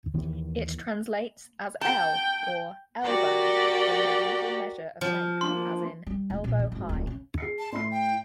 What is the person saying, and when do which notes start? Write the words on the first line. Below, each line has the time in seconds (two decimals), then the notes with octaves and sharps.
It translates as "ell" or "elbow", a medieval measure of length, as in "elbow-high".
0.14 D#2 D#3 E3
1.81 F#5 G5 A5
3.03 F#4 G4 A#4 D5 F#5 G5
5.01 F3
5.41 A#3 D4 C6
6.07 G3
6.30 D1
6.44 A#2
6.59 D#3
6.72 G#1
6.89 D1
7.07 C#3
7.38 G#4 C7 C#7
7.59 A5
7.73 A2 B5 C6 C7
7.91 G5